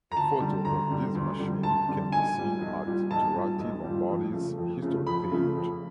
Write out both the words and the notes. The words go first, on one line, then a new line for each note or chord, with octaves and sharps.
A photo of this machine can be seen at Turati Lombardi's history page.
A#5
D2 A5
D3 G3
D2 A#5
D3 G3
D2
D3 G3
D2 A5
D3 G3
B1 G#5
A#2 G3
B1
A#2 G3
B1 A5
A#2 G3
B1
A#2 G3
F2
C#3 F3 A3
F2
C#3 F3 A3
F2 B5
C#3 F3 A3
F2